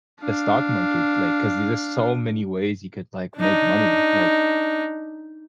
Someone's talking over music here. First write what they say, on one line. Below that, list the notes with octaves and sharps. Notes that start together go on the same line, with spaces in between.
the stock market, like, 'cause there's just so many ways you could, like, make money, like,
D4 F5
D4 D#4